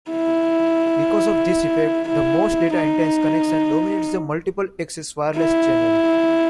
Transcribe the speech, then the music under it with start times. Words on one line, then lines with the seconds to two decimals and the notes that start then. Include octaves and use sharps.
Because of this effect, the most data-intense connection dominates the multiple-access wireless channel.
0.11 E4
2.08 E4
2.74 D#4
5.37 E4